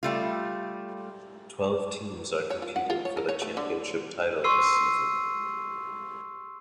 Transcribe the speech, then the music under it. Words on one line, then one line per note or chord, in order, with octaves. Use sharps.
Twelve teams are competing for the championship title this season.
G3 A3 F4
C#5
F4
F#5
F4
C#5
A#4
C#5
A3
D3
C6 C#6 E6 C7 D#7